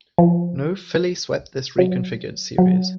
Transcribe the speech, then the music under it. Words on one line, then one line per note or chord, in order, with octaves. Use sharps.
No filly swept this reconfigured series.
F3
F#3
F#3